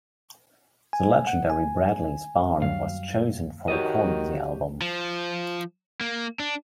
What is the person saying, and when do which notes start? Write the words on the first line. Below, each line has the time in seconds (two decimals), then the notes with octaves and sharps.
The legendary Bradley's Barn was chosen for recording the album.
0.93 G#5
1.27 F#5
1.50 G#5
2.62 F#2 F#3 G3 F5
3.68 D#3 F#4 G4 C#5 D#5
4.81 F3
6.01 A#3
6.40 D4